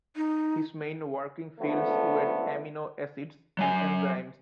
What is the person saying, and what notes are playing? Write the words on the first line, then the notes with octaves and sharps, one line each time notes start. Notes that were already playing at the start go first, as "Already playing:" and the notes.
His main working fields were amino acids and enzymes.
D#4
C#2 D3 F3 A3 B3
F#3 G#5